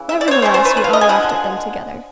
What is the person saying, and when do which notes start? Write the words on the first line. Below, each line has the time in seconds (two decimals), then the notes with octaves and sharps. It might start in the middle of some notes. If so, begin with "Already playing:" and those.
Nevertheless we all laughed at them together.
Already playing: C#3 E3
0.09 E5
0.21 D5
0.28 C5
0.31 C#5
0.42 E3 A3 C#4 C5
0.54 C5
0.65 B4
0.77 B4
0.84 F5
0.93 D#5
1.01 G#5
1.09 D3 F3 G#3 F#5